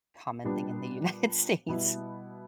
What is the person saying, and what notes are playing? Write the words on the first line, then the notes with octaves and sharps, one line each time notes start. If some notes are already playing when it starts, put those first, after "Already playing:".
common thing in the United States.
A#2 G3 B3 D4 G4
B2 G3 B3 E4